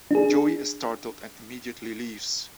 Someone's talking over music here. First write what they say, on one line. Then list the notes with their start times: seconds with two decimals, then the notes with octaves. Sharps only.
Joey is startled and immediately leaves.
0.11 D4 G#4